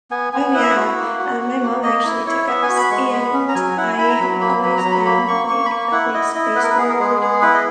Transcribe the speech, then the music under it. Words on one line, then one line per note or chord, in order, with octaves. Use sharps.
Oh, yeah, uh, my mom actually took us, and I have always been, like, a big space nerd.
B3 G#5
B3 G#5
E4 F#5
E5
F#5
F#4
A#3
F#4
F#4
A#3
A#3 D#5
E4
E4 C#5
B3 E5
G#5
F#4
B5
G#3 C#6
B3 B5
C#4
A#5
F#3 G#5
E4 F#5
G#5
E4 B5
A#5
F#3 B5
A#3 B5
F#3 B5
A#5
F#3
B5
A#3 B5
A#3 C#6
A#3 C#6
B5
A#3 C#6
E4 F#5
E4 D#5
E4 D#5
B3 B4
A#4
B4
B3 G#4
A#4
G#3 G#4
B3 G#4
E4 B4
D#5